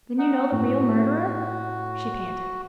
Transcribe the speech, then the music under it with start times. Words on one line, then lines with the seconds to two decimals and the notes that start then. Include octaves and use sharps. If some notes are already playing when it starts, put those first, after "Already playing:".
"Then you know the real murderer?" she panted.
0.18 D#4 F#5
0.52 A2 F#4